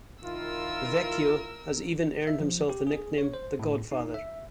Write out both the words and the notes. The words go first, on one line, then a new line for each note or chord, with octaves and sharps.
Vecchio has even earned himself the nickname "the Godfather".
D#3 E4 F4 A#4 E6
E5
F3
G4
G#4
C#5
C5
A2
D#4
E5